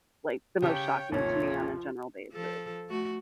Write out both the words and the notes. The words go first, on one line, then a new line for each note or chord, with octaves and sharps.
like, the most shocking to me on a general basis.
C#3 G4 C#5 G5 A5
A1 D#2 C3 F3 A3 A#3 C#5
F3 A4
A3 F#4